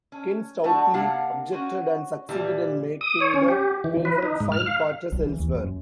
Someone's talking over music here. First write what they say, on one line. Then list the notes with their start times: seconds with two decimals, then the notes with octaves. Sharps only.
Ken stoutly objected and succeeded in making the favourite find quarters elsewhere.
0.12 C#4
0.64 F3 A3 D4 F#4
0.94 C3 A#3 D4 F5 F#5
1.52 C4 C#4 F#4
2.29 A#2 E3 G3
3.01 D#6
3.20 C#5
3.34 C#4
3.48 G4
3.84 E3
4.05 B4
4.23 D#4
4.40 G#2
4.52 F6
4.66 F5
5.12 B1
5.26 E3
5.39 D#2
5.55 F#2